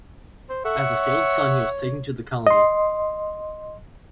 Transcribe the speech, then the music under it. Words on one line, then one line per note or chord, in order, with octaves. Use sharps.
As a failed son he was taken to the colony.
C5
A4 E5 F#5 C#6
C#5
D#5 C6